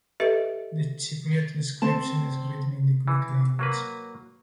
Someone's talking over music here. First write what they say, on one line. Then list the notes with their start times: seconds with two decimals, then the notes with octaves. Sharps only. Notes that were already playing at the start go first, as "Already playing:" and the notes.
The Cypriot inscription is written in the Greek language.
0.20 G4 A4 B4 D#5 E5
1.82 C4 A5
3.08 E3
3.59 F#3 A#3 B4